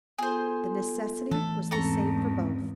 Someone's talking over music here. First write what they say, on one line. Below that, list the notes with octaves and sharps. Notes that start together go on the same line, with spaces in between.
The necessity was the same for both.
B3 F4 G#4 A4 C5
E3 A3 A4
E2 G#2 C4 C#4 A4 A#5 C#6